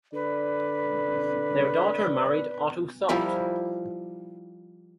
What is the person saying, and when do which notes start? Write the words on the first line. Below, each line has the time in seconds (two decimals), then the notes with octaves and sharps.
Their daughter married Otto Thott.
0.13 D3 B4 D5
3.09 F3 G3 E4 A#4